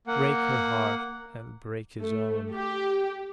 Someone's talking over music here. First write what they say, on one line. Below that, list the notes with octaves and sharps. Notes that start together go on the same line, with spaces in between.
Break her heart and break his own.
A#3 F#5
A3
G4